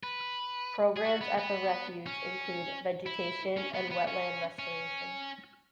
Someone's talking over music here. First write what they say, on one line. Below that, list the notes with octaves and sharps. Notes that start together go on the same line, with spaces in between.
Programs at the refuge include vegetation and wetland restoration.
B4
G#4
F#4
B3
B3
C#4
E4
C#4
B3
B3
C#4
C#4